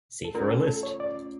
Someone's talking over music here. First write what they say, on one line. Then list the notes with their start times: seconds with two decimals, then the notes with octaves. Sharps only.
See for a list.
0.25 A4
0.35 A3 C#4 F4 A#4
0.51 A4
0.67 A4
0.83 C#5
1.00 D5